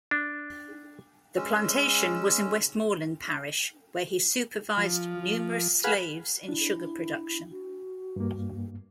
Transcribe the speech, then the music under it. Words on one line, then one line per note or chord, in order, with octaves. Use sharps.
The plantation was in Westmoreland Parish, where he supervised numerous slaves in sugar production.
D4
G#3 C#4 E6
F3
G#4 B4 F5 F#5
D4 E4
F#4
G2 A#3